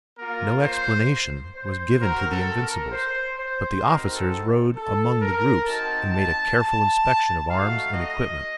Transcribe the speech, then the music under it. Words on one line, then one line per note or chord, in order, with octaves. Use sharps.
No explanation was given to the Invincibles, but the officers rode among the groups and made a careful inspection of arms and equipment.
A#3 F4 A#4
C5
C5
C4 F#4 A#4
A4
A#4
C5
C5
C4 D#4 F#4 A#4
A4
A4
A#4
C4 D#4 F#4 A5
A5
A5
A3 D#4 F#4 F5
D#5